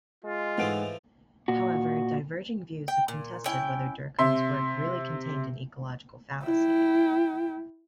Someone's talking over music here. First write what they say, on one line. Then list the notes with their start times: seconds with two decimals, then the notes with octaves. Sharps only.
However, diverging views have contested whether Durkheim's work really contained an ecological fallacy.
0.24 G#3 F4
0.58 G#2 E3 F3 A3 F#5 D7
1.48 A#2 F#4
2.88 G5
3.08 A#2
3.46 C#4 E4 G5
4.19 C3 E5 C6
6.43 E4 G5